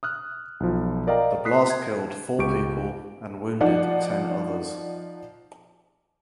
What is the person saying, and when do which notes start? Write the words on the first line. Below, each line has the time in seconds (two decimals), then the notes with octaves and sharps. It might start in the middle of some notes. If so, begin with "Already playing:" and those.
The blast killed four people and wounded ten others.
0.03 D#6 F6 F#6
0.60 B1 F3
1.07 A#4 D5 D#5 F5 G5 A#5
1.45 D#6 F#6 B6 C7
1.70 G#6
2.39 C#2 G4 C#6 D7
3.60 F3 D#4 D5 F#5